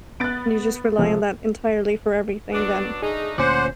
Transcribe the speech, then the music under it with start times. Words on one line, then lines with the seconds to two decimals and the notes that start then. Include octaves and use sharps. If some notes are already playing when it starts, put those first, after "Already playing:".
and you just rely on that entirely for everything then
0.20 B3 F#6 A6 D7
0.98 C3 F3 A3
2.53 F#3 B3 D4
3.02 A3 D4 D#4 G#4
3.38 D2 A#2 C#4 C5 F#5 D6